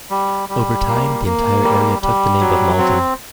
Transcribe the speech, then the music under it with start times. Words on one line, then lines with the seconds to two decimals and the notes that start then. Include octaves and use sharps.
Over time, the entire area took the name of Mauldin.
0.11 G3
0.49 G3
0.87 A#3
1.25 A#3
1.64 G3
2.02 G3
2.41 F#3
2.78 C4